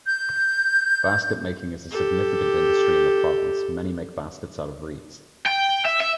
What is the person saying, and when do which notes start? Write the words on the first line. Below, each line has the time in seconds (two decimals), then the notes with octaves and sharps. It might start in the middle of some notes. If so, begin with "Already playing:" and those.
Basket-making is a significant industry in the province; many make baskets out of reeds.
0.06 G6
1.91 G4 A4
5.46 G5
5.85 E5
6.00 E5